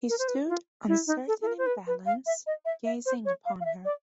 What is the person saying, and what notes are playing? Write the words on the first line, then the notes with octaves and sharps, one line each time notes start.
He stood, uncertain in balance, gazing upon her.
A#4
C5
B4
F4
E4
D#4
A4
A4
A#4
C5
B4
B4
F5
E5
D#5
E5
E5
C5
C#5
F5
F5
E5
D5